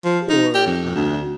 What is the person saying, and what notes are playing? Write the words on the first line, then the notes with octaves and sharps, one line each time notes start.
or, uh
F3
D#4
G4
F2
D2